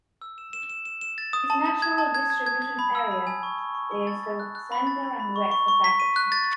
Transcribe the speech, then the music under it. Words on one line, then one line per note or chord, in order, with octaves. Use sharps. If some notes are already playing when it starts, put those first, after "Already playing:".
Its natural distribution area is the center and west of Africa.
E6
E7
E7
E7
E7
E7
A6
D#6
A5
A5
G#6
A5
G#6
G#6
G#6
G#6
B5
E6
B5
G#5
C#6
C#6
C#6
C#6
A6
A6
F#6
F#6
B5
A6
B5
B5
C#6
C#6
C#6
B6
D#7
F#6
A6